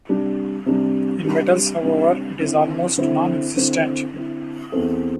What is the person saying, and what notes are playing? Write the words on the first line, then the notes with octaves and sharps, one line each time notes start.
In metals however, it is almost non-existent.
C3 G3 D4
C3 G3 D4
C3 G3 D4
C3 G3 D4
D3 C4 E4
D3 C4 E4
D3 C4 E4
D3 C4 E4
E2 E3 C4 A4